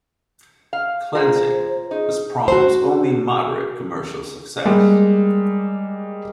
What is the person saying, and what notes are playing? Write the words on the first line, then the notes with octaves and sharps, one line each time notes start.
"Cleansing" was Prong's only moderate commercial success.
F5
F4 G#4 C5 A#5
D#4 G#4
F#4 C5
G3 G#3 A#3